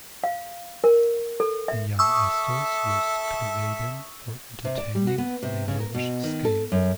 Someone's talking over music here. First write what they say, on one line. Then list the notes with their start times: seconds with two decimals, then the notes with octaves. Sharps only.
The young Astors used Cliveden for entertaining on a lavish scale.
0.24 F5
0.84 A#4
1.40 A4
1.68 E5
1.99 A4 E5 C#6 D#6 E6
4.65 C3
4.78 D5
4.95 G3
5.07 F#4
5.18 B3
5.43 C3
5.68 C#3
5.80 A#4
5.95 B2
6.23 D#3
6.45 A4
6.72 F#2